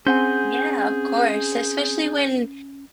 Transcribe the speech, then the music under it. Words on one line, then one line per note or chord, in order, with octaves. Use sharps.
Yeah, of course, especially when
C4 C#4 G#4 F#5 G#5 G6